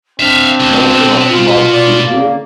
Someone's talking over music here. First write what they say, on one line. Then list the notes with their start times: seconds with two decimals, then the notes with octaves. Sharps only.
most of us love seafood,
0.20 C4 D4 E5 F5
0.60 C#2
0.92 B2
1.29 F4
1.74 D5
2.04 A#3